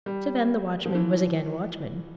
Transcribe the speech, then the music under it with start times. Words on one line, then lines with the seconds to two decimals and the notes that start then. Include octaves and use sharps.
So then the watchman was again watchman.
0.06 G3
0.86 F3
0.95 E3